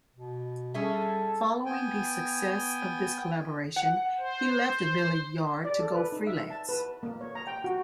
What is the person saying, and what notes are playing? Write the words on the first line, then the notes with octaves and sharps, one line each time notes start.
Following the success of this collaboration, he left Lillie Yard to go freelance.
B2
G3 C#4 G#4 A4 E5
B3 G5 G#5
F#5
C5
D5
A4
B4
D#4
E5
A5
B4
A#3
C#5
A#5
G5
F#4